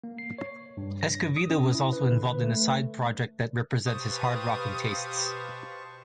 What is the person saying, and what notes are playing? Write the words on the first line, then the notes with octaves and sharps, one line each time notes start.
Escovedo was also involved in a side project that represents his hard-rocking tastes.
A#3
C7
C#5
G2
A#6
D#6
C#4
E4
B4
D3
B4
A3
B2 G4 B4 C5 F5 A5 C#6 D#6